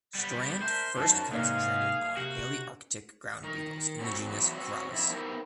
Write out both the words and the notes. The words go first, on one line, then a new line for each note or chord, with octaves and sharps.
Strand first concentrated on Palearctic ground beetles in the genus "Carabus".
G3 B3
D4 A#4 C5 E5
F#2 D#4 F#4 C5 A5
G#2 C3 A#3 D#4 G#4 C#5 D#5 F5
C3 F#4 G4
D#3 A#4
C4 C#4 F#4 A4 C#5
E2 F#3
C4 F#4 C#5
F2 E4
B3 D#4 E4 G4 A#4 C5